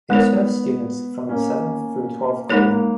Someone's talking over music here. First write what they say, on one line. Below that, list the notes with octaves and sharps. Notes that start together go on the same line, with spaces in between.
It serves students from the seventh- through twelfth-grade.
G#3 B3 D#4 A#4 C#5
A#3 C#4
G#3 A#3 D#4 A#4 C#5
A#3